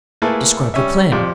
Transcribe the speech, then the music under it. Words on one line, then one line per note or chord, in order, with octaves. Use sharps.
"Describe your plan."
A3 A#3 E4 G#4 A4 B4
G3 C#4 E5
F2 C3 D5